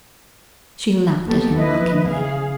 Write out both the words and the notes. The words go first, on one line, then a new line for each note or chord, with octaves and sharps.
She laughed at him mockingly.
D#2 F#3 A#3 B3 G4 A4
F3 E4 B4 D#5
C#3 G#4 F5